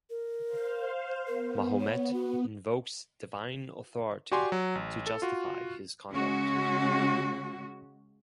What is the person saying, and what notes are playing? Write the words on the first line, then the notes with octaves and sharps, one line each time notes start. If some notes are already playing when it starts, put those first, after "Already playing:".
Mahomet invokes divine authority to justify his conduct.
A#4
C5 F5
B3 A#4
C#5
F#4
F#4 G4 D5 G#5 C6
F#3
A1
A4
F4 F#4
C#3 G#3 C#4 F#4